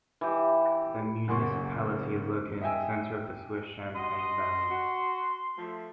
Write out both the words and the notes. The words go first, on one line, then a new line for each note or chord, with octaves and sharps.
The municipality is located in the center of the Swiss Champagne valley.
E3 G4
F#1 F#2 A#3 C6 C#6
D#5 E5 G5 G#5 E6
F#4 D#5 C6
F#4
F3 A3